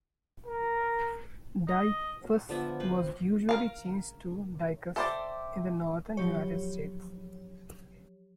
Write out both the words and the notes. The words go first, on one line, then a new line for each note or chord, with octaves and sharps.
"Deicws" was usually changed to "Dicus" in the northern United States.
A#4
D#5
D3 F3 B3 E5
C4 B4
A#4 F5
A4 C5 D5 E5 G5 D6
F3 F#3 G4 C#5